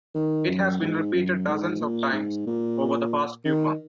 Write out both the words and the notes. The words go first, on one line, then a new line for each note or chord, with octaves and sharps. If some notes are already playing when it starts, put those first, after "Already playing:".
It has been repeated dozens of times over the past few months.
D#3
F#2
G#2
F#2
G#2
A#2
G#2
A#2
D#3